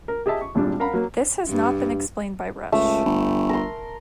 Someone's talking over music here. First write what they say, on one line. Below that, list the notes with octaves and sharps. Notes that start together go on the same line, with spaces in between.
This has not been explained by Rush.
A#4
G4 G#4 D#5 E5 A5
C#6
G#1 A#2 G3 D4
A#4 F5 F#5 A#5 B5
F#3 A#3
G2
C#2 A3
G1
A#4 C6